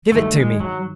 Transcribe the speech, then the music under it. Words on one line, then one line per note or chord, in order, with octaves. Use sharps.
Give it to me!
G2 D#3 F#3 A3
G#3
F#3